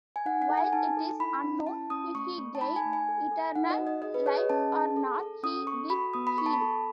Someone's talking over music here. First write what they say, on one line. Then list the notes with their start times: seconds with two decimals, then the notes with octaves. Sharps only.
While it is unknown if he gained eternal life or not, he did heal.
0.16 G#5
0.26 D#4 F#5
0.42 F#5
0.50 A4
0.58 G#5
0.73 D#4 A5
0.97 A4
1.20 E4 B5
1.44 C#4
1.67 E4 A5
1.90 C#4 D#6
2.15 A3 C#6
2.38 A3
2.55 A5
2.61 D#4 B5
2.76 G#5
2.85 A3
2.93 G#5
3.08 A4
3.31 A4
3.55 D#4 F#5
3.70 D#5
3.79 F#4
3.87 D#5
4.02 G#4 D#5
4.14 B4
4.26 G#4 C#5
4.37 D#5
4.50 C#4 A5
4.74 G#4
4.96 A4
5.20 A4
5.43 C#4 D#6
5.67 A4 C#6
5.90 F#4 B5
6.13 B3 D#6
6.27 B5
6.37 A4 C#6
6.46 A5
6.53 B5
6.62 A4